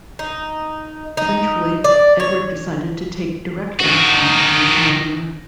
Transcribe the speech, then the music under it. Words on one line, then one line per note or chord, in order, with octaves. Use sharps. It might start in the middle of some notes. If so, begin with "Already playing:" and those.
Eventually, Edward decided to take direct action against Mortimer.
D#4
D#4
D5
C#5
D#3 F#4